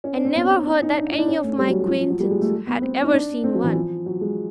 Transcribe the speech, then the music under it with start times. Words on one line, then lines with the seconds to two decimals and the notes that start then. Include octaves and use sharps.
I never heard that any of my acquaintance had ever seen one.
0.04 C#4
0.15 D4
0.25 C4
0.36 B3
0.66 C#4
0.82 D#4
0.97 D4
1.12 D#4
1.18 D4
1.28 C#4
1.43 A3
1.58 G3
1.68 F#3
1.80 G3
1.86 F3
1.90 F#3
1.99 F3
2.10 F#3
2.20 G3
2.30 G#3
2.41 A3
2.67 B3
2.82 C4
3.03 D#4
3.13 D4
3.44 C4
3.54 F#3
3.64 E3
3.75 F3
4.06 F#3
4.21 G#3